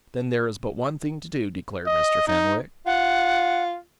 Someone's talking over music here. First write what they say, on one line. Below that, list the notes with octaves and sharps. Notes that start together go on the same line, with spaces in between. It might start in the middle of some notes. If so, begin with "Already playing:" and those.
"Then there is but one thing to do," declared Mr. Fenwick.
D#5
D#4
F4 F#5